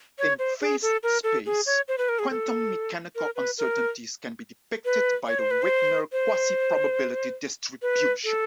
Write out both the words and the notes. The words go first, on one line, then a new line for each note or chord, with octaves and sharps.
In phase space, quantum mechanical uncertainties can be depicted by the Wigner quasi-probability distribution.
C#5
C5
G#4
A4
A#4
A4
G#4
C#5
C5
B4
A#4
G#4
A4
A#4
B4
A#4
B4
C#5
C5
B4
C5
C5
B4
A4